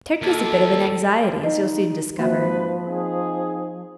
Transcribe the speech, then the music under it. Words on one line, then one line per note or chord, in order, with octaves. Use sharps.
Turkey's a bit of an anxiety, as you'll soon discover.
D#2 A4
D#4 D#5
G#2 F3 A#3 C4 F#4 B4 E5
C4 D#4 G#4